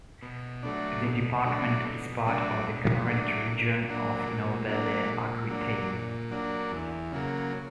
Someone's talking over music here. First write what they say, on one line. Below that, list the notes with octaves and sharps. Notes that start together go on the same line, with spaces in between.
The department is part of the current region of Nouvelle-Aquitaine.
B2
F#3 A3 D4
B2
F#3 A3 D4
B2
F#3 A3 D4
B2
F#3 A3 D4
A#2
F#3 A#3 D4
A#2
F#3 A#3 D4
A#2
F#3 A#3 D4
A#2
F#3 A#3 D4
E2
C#3 F#3 A#3